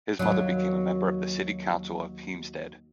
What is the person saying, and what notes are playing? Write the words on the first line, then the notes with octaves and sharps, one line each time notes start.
His mother became a member of the city council of Heemstede.
D#2 F#3